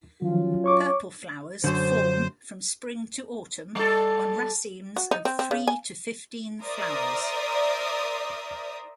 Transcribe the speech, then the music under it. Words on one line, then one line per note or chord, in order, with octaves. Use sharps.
Purple flowers form from spring to autumn on racemes of three to fifteen flowers.
D#3 F3 F#3 C#4 F4
C#5 C#6 D6
F#2 D3 C5
G3 A4
F#4
D#4
C4
C4
C#3
G#5
A#4 C5 D5 E5 D#6